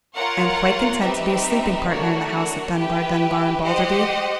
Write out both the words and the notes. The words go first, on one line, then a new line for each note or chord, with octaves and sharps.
I am quite content to be a sleeping-partner in the house of Dunbar, Dunbar, and Balderby.
F4 A#4 C#5 F#5
C4 D#4 G4 B4 E5
A3 D4 F#4 A#4 C#5
G4 B4 E5 G5
G4 C5 D#5 F#5